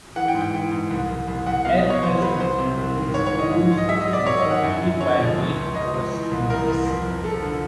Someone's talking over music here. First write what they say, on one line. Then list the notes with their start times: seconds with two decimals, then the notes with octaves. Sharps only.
At present, it is owned and operated by Wake Forest University.
0.16 E3 F#5
0.28 G5
0.35 G#2
0.41 G5
0.53 E3
0.72 G#2
0.91 C2
1.09 C2
1.28 C2
1.46 C2 F#5
1.65 B2 F5
1.77 D#5
1.84 B2
1.90 C#5
2.02 C2 C5
2.21 F#3 B4
2.40 C2 C5
2.58 C3
2.77 C2
2.95 D#3
3.14 G#2 C#5
3.27 C#5
3.33 E3
3.39 D#5
3.51 G#2
3.70 G#2
3.77 D#5
3.89 F#3 E5
4.01 D#5
4.07 F#3
4.13 D5
4.26 F#3 C#5
4.38 D#5
4.45 D#3
4.51 F#5
4.63 F#2
4.82 F#2
5.01 D3 C#5
5.19 F3
5.38 C#2
5.56 C#2
5.75 C#2 D#5
5.94 C#2
6.12 E3
6.31 C2
6.49 E3 A#4
6.68 C2
6.86 F2
7.05 F2
7.24 F3 A4
7.42 D3